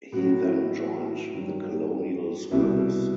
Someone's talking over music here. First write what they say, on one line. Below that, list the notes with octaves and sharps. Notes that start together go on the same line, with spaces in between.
He then joined the Colonial Service.
A2 F#3 F#4
E4
G2 D#3 F#3
C2 B2 G3 E4